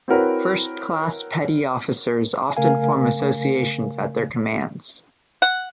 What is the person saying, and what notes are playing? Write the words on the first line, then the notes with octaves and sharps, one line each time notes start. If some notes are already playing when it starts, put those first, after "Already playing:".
First-class petty officers often form associations at their commands.
C4 E4 F#4 A#4 B4 C#5
C#3 A3 A#4 F5 G#5
F#5